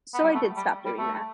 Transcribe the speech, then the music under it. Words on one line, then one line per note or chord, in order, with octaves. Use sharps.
So, I did stop doing that.
B3
G3
A3
G3
G3
A3